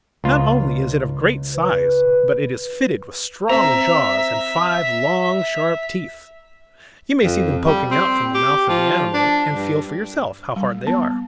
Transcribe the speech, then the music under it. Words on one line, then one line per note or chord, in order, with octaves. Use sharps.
Not only is it of great size, but it is fitted with strong jaws and five long, sharp teeth, You may see them poking out from the mouth of the animal, and feel for yourself how hard they are.
C#2 F4
B4
C4 E5 A#5
F2
G3
C4
G4
F3
D4
G2
G3
B3